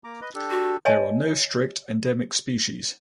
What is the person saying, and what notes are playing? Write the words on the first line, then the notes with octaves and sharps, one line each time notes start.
There are no strict endemic species.
A#3 A#5 D6
B4 D#5
D4 G4 A4
F#4
C#5 D#5 E5 G#5 A5